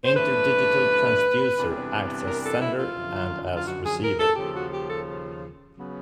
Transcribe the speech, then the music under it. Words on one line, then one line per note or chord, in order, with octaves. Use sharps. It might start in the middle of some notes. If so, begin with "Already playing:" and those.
Interdigital transducer acts as sender and as receiver.
C5
G2 E3 A3 D4 B4
C3 E3 G3 B3 D4
A#4
A4
E4
F4
F#2 D3 F3
F4
F#4
G#4
A#4
A4
D#2 C#3 F3 G4
F#4
G4
A4
C#3 F#3 B3